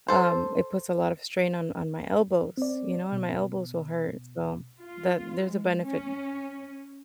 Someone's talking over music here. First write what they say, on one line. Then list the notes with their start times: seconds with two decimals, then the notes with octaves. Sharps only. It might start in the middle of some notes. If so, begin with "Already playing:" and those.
um, it puts a lot of strain on on my elbows, you know? And my elbows will hurt. So that there's a benefit
0.08 A4 C5
2.57 C4 D5
3.12 B2
4.82 F4
5.49 G#3
5.81 C#4